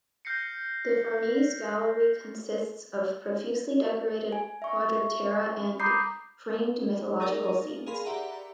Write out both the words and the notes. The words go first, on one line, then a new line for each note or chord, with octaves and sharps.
The Farnese Gallery consists of profusely decorated quadratura and framed mythological scenes.
F6 G6 A#6 C7 C#7
G#5
E5 C#6
A#5 B5 D6 D#6 G6 C7
D#4 G#4 A#4 D5
G#4 A#4 F5 B5 C6
G4 D5 E5 F#5 A#5